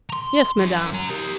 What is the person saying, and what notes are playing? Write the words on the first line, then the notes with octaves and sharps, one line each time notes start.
"Yes, madame."
A#5 C6
F#2
F#2 A#5
G4 A#4